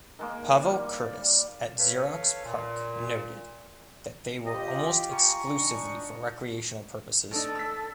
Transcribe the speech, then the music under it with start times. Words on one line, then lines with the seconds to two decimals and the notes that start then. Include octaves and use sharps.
Pavel Curtis at Xerox Parc noted that they were almost exclusively for recreational purposes.
0.19 D#3 G#3 A#3
0.61 G3
0.99 D5
1.78 A4 B4 C#5 F5
2.44 A#2
4.46 F4 G4 D#5
5.12 G#5 A#5 C#6
5.57 D4 D#4
7.31 A1 D4 D#4 A4
7.55 E6 B6